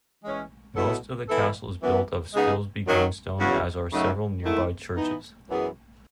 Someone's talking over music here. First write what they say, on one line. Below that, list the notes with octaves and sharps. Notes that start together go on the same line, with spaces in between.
Most of the castle is built of Spilsby greenstone, as are several nearby churches.
E3 G#3 C#4
B2 F#3 B3 E4 A4
E3 B3 E4 A4
F#2 E3 B3
C#3 G#3 B3 D#4 G#4
F#2 D#3 F#3
E2 C#3 F#3 C#4 F#4
F#2 C#3 F#3 A3 D#4
G#2 D#3 A3 E4
E3 B3 D#4
F#2 E3 B3 E4 G#4